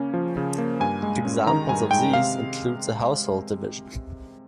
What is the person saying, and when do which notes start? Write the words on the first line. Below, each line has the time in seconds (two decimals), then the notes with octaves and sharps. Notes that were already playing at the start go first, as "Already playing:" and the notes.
Examples of these include the Household Division.
Already playing: C#3 A#3 C#4
0.14 F3
0.37 C#3
0.58 A#3
0.80 G2 G#5
1.03 G#3
1.25 C#4
1.46 D#3 A#5
1.69 G2 G#5
1.91 G#3 G5
2.13 C3 F5